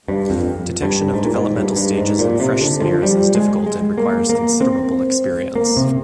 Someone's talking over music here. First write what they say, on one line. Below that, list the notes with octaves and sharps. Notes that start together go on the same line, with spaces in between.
Detection of developmental stages in fresh smears is difficult and requires considerable experience.
G2
F2
G2
G#2
A#2
G#2
G2
G2
G#2
A#2
C3
D3
F3
G3
G#3
G#3
A#3
A#3
C4
A#3
C3